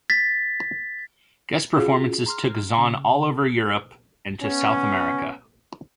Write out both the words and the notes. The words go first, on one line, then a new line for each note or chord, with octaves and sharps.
Guest performances took Zaun all over Europe and to South America.
A6 B6
C#4 F4 F#4 G#4
A#5 C6 F6
C#3
B3 C#4